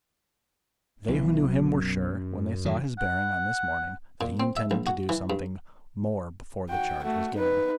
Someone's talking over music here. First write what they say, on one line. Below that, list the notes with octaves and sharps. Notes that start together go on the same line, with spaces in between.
They who knew him were sure, when they saw his bearing on this morning, that he intended to do something more before the charge was given.
B1 E3
F#2
D#3 E3 F#3
F#5
A#2
C4
E5
A#1
F#4
E3
G2
F#4 G5
A3 F#4
D#4 B4